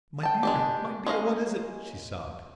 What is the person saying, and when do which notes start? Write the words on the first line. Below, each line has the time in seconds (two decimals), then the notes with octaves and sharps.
"My dear, my dear, what is it?" she sobbed.
0.23 G5 A5
0.43 G#3 D4 G4
1.06 G#3 C#4 D#5 F5